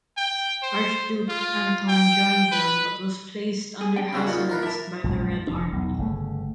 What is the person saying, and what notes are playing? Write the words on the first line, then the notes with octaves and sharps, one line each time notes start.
Archduke Anton joined them but was placed under house arrest by the Red Army.
G5
C5
F4
G5
B4
G#4
D4 G5
C#3 B3 C#4 D4 F#4 C5
A#2 D#4 F4 F#4
F4 A#4 B4
A#4 E5 A5 D6
A#1 F#2 G#3
F1 F3 D4
B1 E2
G1 C#3 A3